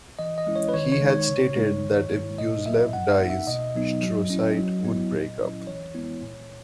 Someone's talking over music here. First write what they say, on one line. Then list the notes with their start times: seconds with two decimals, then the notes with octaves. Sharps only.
He had stated that if Gyuzelev dies, Shturcite would break up.
0.19 E3 D#5
0.38 D#5
0.47 G#3 C#4 E4
0.56 C#5
0.69 B4
0.74 D#3 C#5
0.92 C#5
1.01 G#3 D#4
1.10 C#5
1.28 C#3
1.56 G#3 D#4
1.83 D#3
2.11 A#3 E4
2.38 B2 D#5
2.66 F#3 B3 E4 E5
2.93 A#2 F#5
3.11 E5
3.20 A#3 D#4
3.30 E5
3.47 B2 D#5
3.75 F#3 B3 D#4
4.02 F#3
4.30 C#4 E4
4.57 F#3
4.85 B3 E4
5.12 A#2
5.39 F#3 C#4 E4
5.67 E3 C#5
5.95 G#3 B3 E4
6.22 A#2